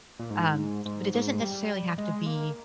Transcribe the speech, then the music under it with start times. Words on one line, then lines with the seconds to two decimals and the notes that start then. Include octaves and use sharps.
um, but, it doesn't necessarily have to be,
0.19 A#2
0.30 G#2
0.85 G#2
1.14 G#2
1.42 G3
1.98 G#3
2.26 A#3